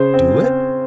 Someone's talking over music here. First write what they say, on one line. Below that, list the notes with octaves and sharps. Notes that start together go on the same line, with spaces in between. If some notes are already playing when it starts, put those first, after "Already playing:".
Do it?
Already playing: C#3 C5
C4
C4